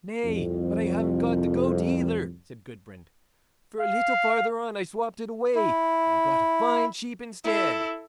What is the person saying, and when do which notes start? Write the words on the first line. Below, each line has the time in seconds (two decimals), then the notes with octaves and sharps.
'Nay, but I haven't got the goat either', said Gudbrand, 'for a little farther on I swopped it away, and got a fine sheep instead.'
0.25 C2 F2
3.80 F5
5.56 E4
7.45 E4 A4